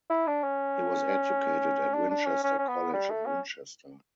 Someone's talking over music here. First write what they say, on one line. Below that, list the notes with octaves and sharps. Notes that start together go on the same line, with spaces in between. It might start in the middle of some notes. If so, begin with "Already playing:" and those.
He was educated at Winchester College in Winchester.
E4
D4
C#4
D4
D4
C#4
C#4
C#4
B3
G3
A3
C#4